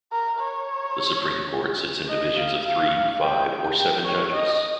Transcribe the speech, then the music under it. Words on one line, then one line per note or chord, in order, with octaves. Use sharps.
The Supreme Court sits in divisions of three, five or seven judges.
A#4
C#5
D#5
F5
F5
G5
G5
C#5
D#5